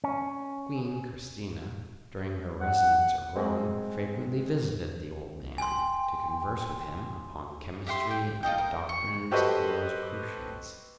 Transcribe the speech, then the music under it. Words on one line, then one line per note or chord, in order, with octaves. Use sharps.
Queen Christina, during her residence at Rome, frequently visited the old man, to converse with him upon chemistry and the doctrines of the Rosicrucians.
C#4
F#5
G#3 C4 G#5
G5 G#5 C6
G4 E5 F#5 C6
G5
F4 A4 D#5 G5
A#4
C#6
F#4 G4 A4 B4 C5 D#5